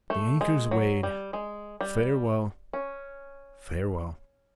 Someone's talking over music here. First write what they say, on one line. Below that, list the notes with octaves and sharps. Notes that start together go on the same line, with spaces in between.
"The anchor's weighed, farewell, farewell!"
A3
G#3
F#3
G3
G#3
G3
C#4